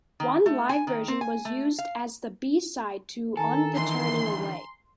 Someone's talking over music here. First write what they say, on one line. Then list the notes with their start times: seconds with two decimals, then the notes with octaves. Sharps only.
One live version was used as the B-side to "On the Turning Away".
0.20 D#3
0.46 A3
0.69 G#5
0.87 D#3
1.08 C4
1.21 G#5
1.45 A3
1.79 F5
3.37 D#3 A4 G#5 A#5
3.75 D3 E3 C6